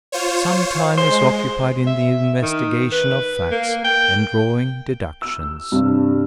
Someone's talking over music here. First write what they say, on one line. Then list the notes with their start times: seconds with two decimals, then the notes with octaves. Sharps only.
Some time is occupied in the investigation of facts, and drawing deductions.
0.12 F4 C5 C#5
0.98 G#3 C5
1.87 E5
2.42 D#3
2.92 B4
3.51 A#3
3.85 G5
5.22 E6
5.72 G2 C3 D4